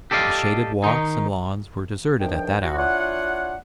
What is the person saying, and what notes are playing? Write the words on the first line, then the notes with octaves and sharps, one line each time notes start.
The shaded walks and lawns were deserted at that hour.
G4 A4 D5 D#5 F5
D#3 D#4
E2 D#3 F3 D4 G5
F#4
D4 E4 F4 C#5 F#5